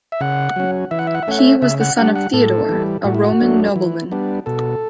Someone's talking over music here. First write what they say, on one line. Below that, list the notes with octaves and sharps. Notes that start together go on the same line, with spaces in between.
He was the son of Theodore, a Roman nobleman.
E5
C#3 F#5
F#3 C#4
E3 E5
F#5
E5
F#5
E5
A3 C#4 F#5
E5
C#3 E5
F#5
G3 D4 F#5
F#5
A2 A4
E3 G3
A2 F#4
E4
F#4
F#3 A3 D4
E3
G3 B3 D4
B2 A4